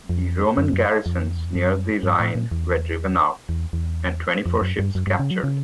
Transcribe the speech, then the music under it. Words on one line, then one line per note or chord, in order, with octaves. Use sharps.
The Roman garrisons near the Rhine were driven out, and twenty-four ships captured.
F2
F#2
F#2
F2
E2
F2
F#2
G2
A2
A#2
E2
E2
E2
F2
F#2
G2
F#2
G2
C#3
F#3
C#3